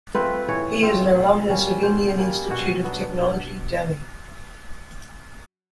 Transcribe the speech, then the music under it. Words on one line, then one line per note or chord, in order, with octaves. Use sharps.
He is an alumnus of Indian Institute of Technology, Delhi.
A3 C4 F4 B4
E3 C#5
A3 C4 F4
B2
G3 A#3 C#4
B2 C5
G3 A#3 C#4
B2 F#4
F#3 B3 D4
B2